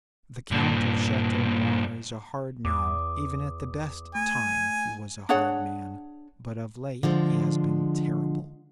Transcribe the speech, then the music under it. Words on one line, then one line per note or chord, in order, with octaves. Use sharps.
The Count of Chateau Noir is a hard man, even at the best time he was a hard man. But of late he has been terrible.
G2 A#2
E2 D6 D#6
A3 G#5
D4 G#4 C#5 F#5
D3 F3 G#3